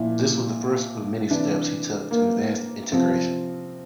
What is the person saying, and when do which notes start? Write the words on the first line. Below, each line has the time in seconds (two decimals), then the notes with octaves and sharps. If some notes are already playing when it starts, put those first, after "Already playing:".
This was the first of many steps he took to advance integration.
Already playing: A#2 F3 E4
1.30 C3 E3 D4
2.11 A#3
2.92 C3 F3 C4